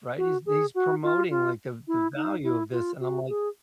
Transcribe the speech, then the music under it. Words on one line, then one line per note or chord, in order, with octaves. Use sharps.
right? He's he's promoting like the the value of this." And I'm like
F#4
G#4
F#4
F4
F4
E4
D#4
E4
F4
F#4
G#4